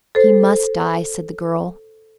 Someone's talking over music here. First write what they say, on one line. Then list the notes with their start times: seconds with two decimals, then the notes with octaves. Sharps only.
"He must die," said the girl.
0.15 A4 C5